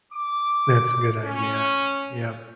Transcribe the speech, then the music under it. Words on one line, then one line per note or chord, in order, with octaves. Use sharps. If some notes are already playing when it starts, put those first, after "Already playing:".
That's a good idea. Yep.
D6
C#4